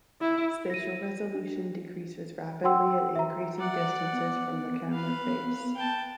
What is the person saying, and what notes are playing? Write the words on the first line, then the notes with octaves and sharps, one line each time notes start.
Spatial resolution decreases rapidly at increasing distances from the camera face.
E4
A#6 D#7
D4
F#4 F#5 G5 C6 E6
E5 A#5
D5 F#5
B3
B4 F5
G5 A5